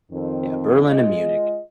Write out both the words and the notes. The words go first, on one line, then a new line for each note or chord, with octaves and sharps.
Yeah, Berlin and Munich.
F2 D#3 C4
G#3 F4 G#4 D#5